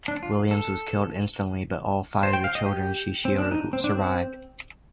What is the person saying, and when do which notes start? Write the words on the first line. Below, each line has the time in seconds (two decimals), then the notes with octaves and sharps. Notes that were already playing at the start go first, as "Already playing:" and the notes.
Williams was killed instantly but all five of the children she shielded survived.
0.08 D4
0.23 F4
0.51 A4
2.23 C5
2.33 G5
2.44 F5
2.55 D#5
2.66 G4
3.25 C4
3.39 D4
3.52 D#4
3.73 C4
3.84 D4
3.95 C4